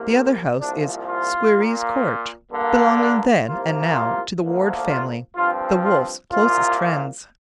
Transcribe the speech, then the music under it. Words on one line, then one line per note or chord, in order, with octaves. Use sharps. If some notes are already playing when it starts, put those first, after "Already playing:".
The other house is Squerryes Court, belonging then and now to the Warde family, the Wolfes' closest friends.
Already playing: C2 C3 A#3
C2 A#2 F3 D4
F4
A#2 A#3
G2 D3 A#3
D4
C2 C3 F3 A#3 F4
F4
D2 D3 F3 A#3
F4
G2 F3 C4 F4
F4
C2 A#2 A#3 F4